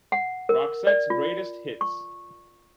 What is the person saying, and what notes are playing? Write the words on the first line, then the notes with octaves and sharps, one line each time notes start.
Roxette's Greatest Hits.
F#5
A#4
D5
F4
C#6